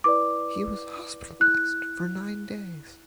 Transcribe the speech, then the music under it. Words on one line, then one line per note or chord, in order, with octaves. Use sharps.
He was hospitalized for nine days.
E4 B4 D5 D6
E4 F#6